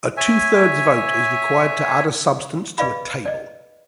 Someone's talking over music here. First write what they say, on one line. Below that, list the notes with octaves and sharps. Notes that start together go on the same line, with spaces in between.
A two-thirds vote is required to add a substance to a Table.
C#5 E5 G#5
G#4 B4 D5 D#5 F5 B5
D5 D#5